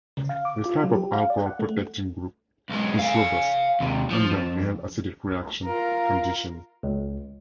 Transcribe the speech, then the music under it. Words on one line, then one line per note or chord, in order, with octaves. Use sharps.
This type of alcohol protecting group is robust under mild acidic reaction conditions.
C#3
F5
D6
F4
F#3
G4
F5
D5
F#5
A3
B1 G#3
F5 G#5
D#2 C3
F3
F2
F4 A#4
C#2